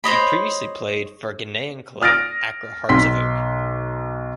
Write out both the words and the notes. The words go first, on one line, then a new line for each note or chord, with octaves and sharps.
He previously played for Ghanaian club Accra Hearts of Oak.
C5 C#5 D#5 B5
D#6 F6 A6 A#6 D7
B1 C6 B6